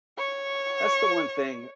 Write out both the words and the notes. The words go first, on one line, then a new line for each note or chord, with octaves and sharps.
that's the one thing
C#5 C#6